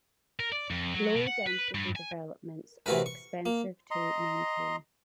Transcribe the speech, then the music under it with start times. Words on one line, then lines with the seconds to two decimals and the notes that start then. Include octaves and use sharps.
Low density developments are expensive to maintain.
0.40 A#4
0.52 D5
0.71 F2
0.94 F#3
1.15 B2
1.27 F#5
1.47 B4
1.75 G2
1.96 G#5
2.86 C3 E3 A3 F#4 A#4 B4
3.06 C#6
3.46 A#3
3.91 D#5 A#5 C6